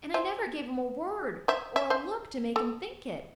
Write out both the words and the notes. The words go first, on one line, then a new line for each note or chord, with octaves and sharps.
"And I never gave him a word or a look to make him think it!"
C5 E5
C5 E5
E5
C5 E5
A4